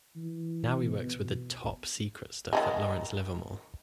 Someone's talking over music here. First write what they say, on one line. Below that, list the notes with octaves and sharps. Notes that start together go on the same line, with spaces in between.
Now, he works with top secret stuff at Lawrence Livermore.
E3
B2
D#3 F3 G#3